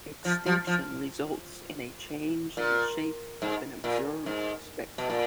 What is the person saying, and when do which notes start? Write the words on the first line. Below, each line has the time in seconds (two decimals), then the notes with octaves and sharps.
Extinction results in a change in the shape of an observed spectrum.
0.25 F3
0.46 F3
0.67 F3
2.57 A#2
3.42 G#2
3.84 A#2
4.26 G#2
4.98 B2
5.10 A#2